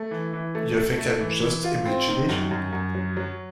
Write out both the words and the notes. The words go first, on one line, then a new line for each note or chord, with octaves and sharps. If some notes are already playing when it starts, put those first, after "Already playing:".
You think I'm just imagination?
Already playing: A3
E3
E3
A3
A3
A3
E3
E3
F4
C4
D#3
F#2
F#2
F#2
F#3
F#3